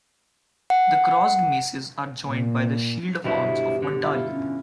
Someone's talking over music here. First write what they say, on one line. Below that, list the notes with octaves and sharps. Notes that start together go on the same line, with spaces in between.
The crossed Maces are joined by the shield of arms of Ontario.
F#5
A#2
G2 B2 D3 E4 C5
G4
D3
E4 F4
C#4